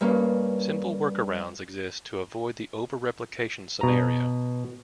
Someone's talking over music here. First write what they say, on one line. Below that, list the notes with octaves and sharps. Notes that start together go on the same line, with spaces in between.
Simple workarounds exist to avoid the over-replication scenario.
G2 A#3 C#4
B2 A#5